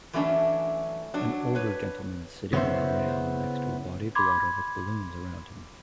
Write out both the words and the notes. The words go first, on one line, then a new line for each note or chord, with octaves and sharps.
An older gentleman sitting on a rail next to a body of water with balloons around him.
E3 F#3 A3 C#4 D4
F#3 D4
B4 C#5
C#3 B3 C#4 D#4 E4 C5
B5 C6 D6 G#6